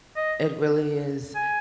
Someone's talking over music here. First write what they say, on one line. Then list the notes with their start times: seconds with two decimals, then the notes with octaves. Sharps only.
It really is.
0.16 D#5
1.35 G#5